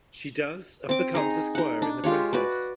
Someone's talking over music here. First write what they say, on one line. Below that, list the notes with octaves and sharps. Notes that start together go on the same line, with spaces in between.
She does and becomes a squire in the process.
C4 D6
D#4 G#4 A#5
D#4 F#5
D4
G#3 F4 G4 C#5
F#4 B4 D5